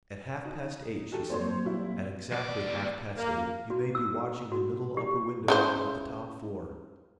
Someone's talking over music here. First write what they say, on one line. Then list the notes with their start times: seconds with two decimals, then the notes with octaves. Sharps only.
At half-past eight,' she said, 'at exactly half-past eight you may be watching the middle upper window of the top floor.
0.45 D#4
1.12 D#3 F#4 G4 A4
1.30 F#3 A#3 C4 C5 C#5 C6
1.65 A#2 G3 E4
2.31 D#2 D5
3.18 A#3
3.70 F#4
3.95 E6
4.52 F#4
4.97 G4
5.48 C#3 E3 C5